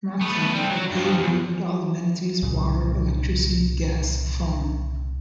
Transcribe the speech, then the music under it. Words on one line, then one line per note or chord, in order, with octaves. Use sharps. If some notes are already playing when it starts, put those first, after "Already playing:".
'Machian a paved road with all amenities, water, electricity, gas, phone.
A3 B3
G3 C4
F#3
G2 F3
E2
C2 A#2 C#3